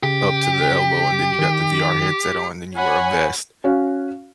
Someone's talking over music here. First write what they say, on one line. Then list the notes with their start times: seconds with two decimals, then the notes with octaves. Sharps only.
up to the elbow, and then you got the VR headset on, then you wear a vest,
0.03 C#3 G4
1.39 D#3
2.76 C#5 F#5 G#5 B5
3.64 C#4 F#4 F5